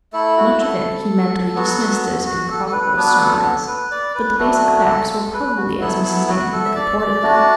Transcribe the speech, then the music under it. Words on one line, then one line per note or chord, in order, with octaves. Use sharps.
Much of it he mentally dismissed as improbable surmise, but the basic facts were probably as Mrs. Danby had reported them.
A3 E4 A4
F#4
A4
F#3 B3 F#4
F#4
A4
A4
B4
F#3 B3 D4 B4
A4
A4
B4
D5
B4
F#3 A3 D4 F#4 A4
A4
F#4
A4
A4
B4
F#4
F#3 B3 E4 A4
A4
F#4
A4
E5
D5
D5
A3 D4 F#4